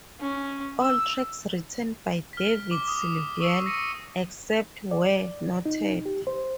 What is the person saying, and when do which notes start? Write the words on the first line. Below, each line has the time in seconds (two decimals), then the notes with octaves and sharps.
All tracks written by David Sylvian, except where noted.
0.20 C#4
0.81 E6
2.33 F6 B6
2.71 D6
2.88 D#6
3.40 C#6 E6 C7
3.66 A#6 C#7 D#7
4.91 D5
5.66 D#4
6.06 G4
6.27 C5